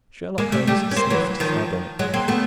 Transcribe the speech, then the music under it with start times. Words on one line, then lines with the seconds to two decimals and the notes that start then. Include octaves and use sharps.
Sherlock Holmes sniffed sardonically.
0.38 G#3 A#3
0.52 G3 A3
0.67 G3 A3
0.91 C#4
0.96 A#3 C4
1.10 E3 F#3
1.40 D#3 F3
1.99 F#3 G#3
2.14 A#3 C4
2.28 A3 B3